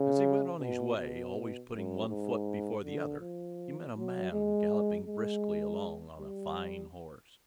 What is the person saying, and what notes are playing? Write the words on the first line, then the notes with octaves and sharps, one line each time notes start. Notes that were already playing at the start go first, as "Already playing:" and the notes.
As he went on his way, always putting one foot before the other, he met a man galloping briskly along on a fine horse.
Already playing: C#3
B2
B2
F#2
G#2
D3
F3
F#3
G#3
G#3
G3